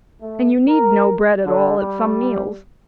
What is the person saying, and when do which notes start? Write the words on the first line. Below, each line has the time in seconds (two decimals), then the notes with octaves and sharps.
And you need no bread at all at some meals.
0.21 A3
0.68 A#4
1.45 D3
1.78 G3